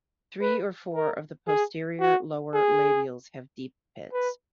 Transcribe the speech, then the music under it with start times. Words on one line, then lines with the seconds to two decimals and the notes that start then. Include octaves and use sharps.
Three or four of the posterior lower labials have deep pits.
0.41 B4
0.94 A#4
1.48 G#4
2.01 F#4
2.54 G#4
4.13 B4